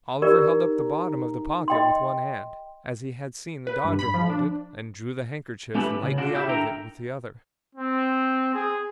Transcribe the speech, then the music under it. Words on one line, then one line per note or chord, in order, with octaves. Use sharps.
Oliver held up the bottom of the pocket with one hand, as he had seen the Dodger hold it, and drew the handkerchief lightly out of it with the other.
D#4 G4 A#4 D5
D#5 G5 C6
B4
G2
B5
F3
D4
A3 C#4 G4 A4 B4
A2
C#3
D3 D4 F4 F#4
E4 G4 E5
D4 A4 A#4 E5 G5 A#5
C4
G#4